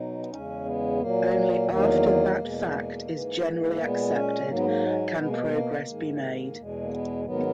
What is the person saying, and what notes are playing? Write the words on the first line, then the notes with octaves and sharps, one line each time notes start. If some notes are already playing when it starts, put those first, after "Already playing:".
Only after that fact is generally accepted can progress be made.
Already playing: B2 F#3 D#4
B3
E2 C#3 G#3 C#4
B3
A#2 F#3 A#3
E2 D#3 F#3 A#3
E2 B2 G#3
G#2 E3 G#3
A#2 G#3 B3
C#4
G#2 F#3 A#3
B3
A#3
G#3
B2 G#3 B3
A#3
G#3
A#3
G#2 D#3 G#3
E2 B2 G#3
A#3
B3
G#2 D#3 F#3 B3